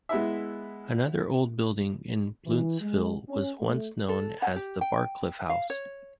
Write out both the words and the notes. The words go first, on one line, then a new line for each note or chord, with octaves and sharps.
Another old building in Blountsville was once known as the Barclift House.
G#3 B3 E4 E5
E3
G#3
C#4
A3
A4
F#5
G4
G5
F5
C#5